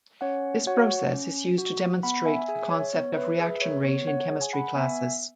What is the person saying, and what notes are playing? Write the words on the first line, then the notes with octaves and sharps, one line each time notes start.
This process is used to demonstrate the concept of reaction rate in chemistry classes.
C#4 C#5 F#5
F#4 C#5 F#5
C#4
F#4
B3 F#5 B5
E5 G#5
G#4 E5 G#5
C#5
B3 C#5
B4 E5
G#4 B4 E5
C#5
B3 C#5
C#5 F#5
G#4
G#5
F#5 B5
B3 E5 G#5